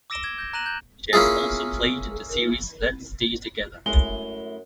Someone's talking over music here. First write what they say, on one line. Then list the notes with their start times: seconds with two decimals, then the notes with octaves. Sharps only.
She has also played in the series "Let's Stay Together".
0.10 D6 E6 A#6 D7 E7 G7
0.24 G#6
0.38 G6 A#6
0.53 A#5 F#6 A#6 D#7 E7 F#7
0.66 G6
1.13 A#3 C#4 E4 F4 G#4
3.86 F#2 G#3 A3 E4 G7